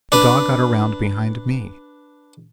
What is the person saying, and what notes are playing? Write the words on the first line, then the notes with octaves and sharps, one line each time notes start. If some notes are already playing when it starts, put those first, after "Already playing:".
The dog got around behind me.
D4 B4